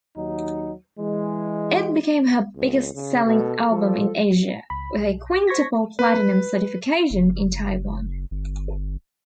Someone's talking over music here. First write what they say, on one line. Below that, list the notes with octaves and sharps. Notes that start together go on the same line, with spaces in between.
It became her biggest-selling album in Asia, with a quintuple platinum certification in Taiwan.
D#2 F#3 D#4
E3 G#3
C#2
C#3
B2 A4
F3
C#2 B5
B1
C5 C#6 G#6 A#6 B6
B4
F#1
G1